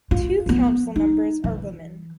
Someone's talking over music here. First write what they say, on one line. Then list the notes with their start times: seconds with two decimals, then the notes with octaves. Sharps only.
Two councilmembers are women.
0.11 F4
0.46 F3 B3
0.96 D#4
1.44 E3